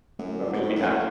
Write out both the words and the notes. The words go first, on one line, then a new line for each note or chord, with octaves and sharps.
but maybe not.
F#2 A3
E4 D5 F#5
B2
A2 A3
F#2
E4 D5 F#5
A2